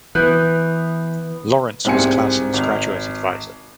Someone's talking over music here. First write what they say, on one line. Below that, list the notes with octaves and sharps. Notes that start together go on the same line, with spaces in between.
Lawrence was Claussen’s graduate advisor.
E3 B3 F#6 G6
C2 G#2 C4 G4 G#5 C#7
G#1 F7